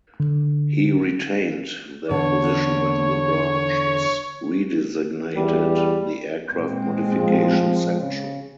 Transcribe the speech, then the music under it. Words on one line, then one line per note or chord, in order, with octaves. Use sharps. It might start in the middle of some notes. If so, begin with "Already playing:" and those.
He retained that position when the branch was redesignated the Aircraft Modification Section.
D3
E2 D3 C#5
E2 G3
A#2 G#3 C4
F3
C#3